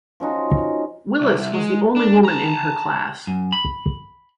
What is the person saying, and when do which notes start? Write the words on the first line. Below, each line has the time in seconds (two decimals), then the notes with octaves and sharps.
Willis was the only woman in her class.
0.20 F3 C#4 D#4 F#4
1.21 C2
1.53 G#3
1.96 D4
2.25 A5 A#5
3.27 F#2
3.52 B5